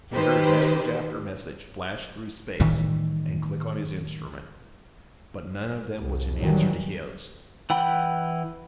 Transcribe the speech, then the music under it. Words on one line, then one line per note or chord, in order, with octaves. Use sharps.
He heard message after message flash through space, and click on his instrument, but none of them was in answer to his.
D#3 G4 B4 C5
A2 D#3 E3 G3
C2
A2 D#3 E3 F#3 G3
E3 F#5 G5 B5